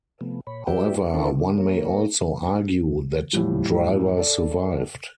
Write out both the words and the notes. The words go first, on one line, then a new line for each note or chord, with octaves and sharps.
However, one may also argue that Driver survived.
C3 F3 A3 B3
A#2 C#5 B5
F#4 G4 B4 D5 E5 G5
C#4 D4 E4 A4 A#4 C5
D4
A#3 A#4 C#5
E2 A2 F3 G3
A4 D5